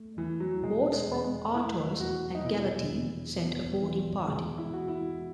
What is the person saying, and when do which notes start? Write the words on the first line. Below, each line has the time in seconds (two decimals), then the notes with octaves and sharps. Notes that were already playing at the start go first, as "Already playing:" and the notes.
Boats from "Artois" and "Galatea" sent a boarding party.
Already playing: A3
0.17 E2 E3
0.40 F#3
0.63 B2 G#3
0.93 G#3
1.08 E2
1.24 G#3
1.54 A3 E4
2.00 E2 F#4
2.35 D#4
2.45 B2 E4
2.91 E2
3.37 B3
3.82 E3
4.28 G#3
4.58 E4
4.73 F#4
4.88 E4